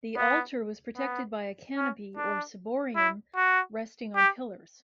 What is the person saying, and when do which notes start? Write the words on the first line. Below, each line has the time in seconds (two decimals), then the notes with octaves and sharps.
The altar was protected by a canopy or "ciborium" resting on pillars.
0.17 B3
0.97 B3
1.77 C#4
2.17 D4
2.96 E4
3.36 F#4
4.16 G4